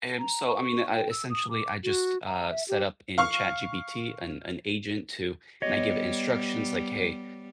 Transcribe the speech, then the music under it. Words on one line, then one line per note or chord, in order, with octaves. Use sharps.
Erm, so, I mean, uh, essentially, I just, uh, set up in ChatGPT an an agent to and I give instructions, like, "Hey,
A#5
C#6
G5
E6
D#6
D6
F#4
A#5
E5
G4
F5 C#6 F6
G3 B3 C#5 D#5